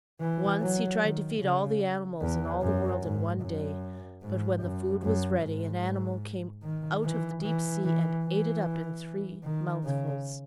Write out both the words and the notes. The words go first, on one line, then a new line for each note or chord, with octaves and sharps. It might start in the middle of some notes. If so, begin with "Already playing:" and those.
Once he tried to feed all the animals in all the world in one day, but when the food was ready an Animal came out of the deep sea and ate it up in three mouthfuls.
E3
F#3
D#3
C#3
E2
F#2
G#2
F#2
G#2
F#2
F#2
G#2
D#3
E3
E3
E3
E3
D#3
C#3